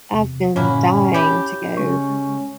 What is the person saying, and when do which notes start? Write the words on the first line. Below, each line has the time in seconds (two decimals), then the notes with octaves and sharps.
I've been dying to go.
0.12 E2 C3
0.56 G2 A#2 D3 F#3 A#3 C#4 E4
1.14 E4 G4 C#5
1.77 C#3 G#3 C#4 C#6